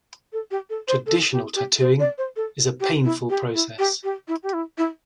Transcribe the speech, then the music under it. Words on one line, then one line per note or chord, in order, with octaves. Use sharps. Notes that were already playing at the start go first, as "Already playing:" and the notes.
Traditional tattooing is a painful process.
A4
G4
A4
C5
A4
G4
G4
C5
D5
C5
A4
G4
E4
G4
E4
G4
G4
E4
G4
E4
E4